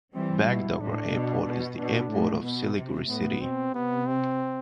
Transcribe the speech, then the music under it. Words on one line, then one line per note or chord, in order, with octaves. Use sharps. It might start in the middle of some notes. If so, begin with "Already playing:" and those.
Bagdogra Airport is the airport of Siliguri city.
E3 G3 C4
B2 E4
A2 D4
B2
B2
B2 D4
A2
B2 B3
C3
A2 B3
B2 C4
C3 B3
C4